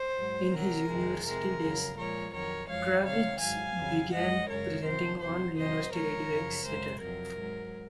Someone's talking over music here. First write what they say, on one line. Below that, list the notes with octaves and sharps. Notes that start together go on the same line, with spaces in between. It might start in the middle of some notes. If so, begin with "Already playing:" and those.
In his university days, Kravitz began presenting on University Radio Exeter.
Already playing: C5
G#2 F#3
C3 F#3 A#4
F2 C3 D#3 G#3
C3 F3 G#3 A#4
F2 C#3 F#3
A#2 F3 G#3 A#4 C#5
F2 D#3 F#3 A#4 C#5
F#2 F3 G#3 C#5 F5
C3 D#3 G#3 C#5 F5
G#2 F#3 F5 G#5
F2 C#3 F#3
F#2 F3 G#3 D#5 F#5
F#2 C#3 G#3 A#4 C#5
C3 D#3 F#3 C5
F2 C3 F#3 C5
C3 F#3 C5 D#5
A#2 F3 G#3 A#4 C#5
F#2 C#3 F3
F#2 C#3 G#3 C5
F2 C3 F#3 A#4
G#2 F#3